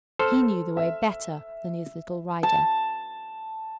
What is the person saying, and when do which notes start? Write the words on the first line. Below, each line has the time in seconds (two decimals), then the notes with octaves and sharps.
He knew the way better than his little rider.
0.19 A4 C5 F6
0.77 E5
2.43 A5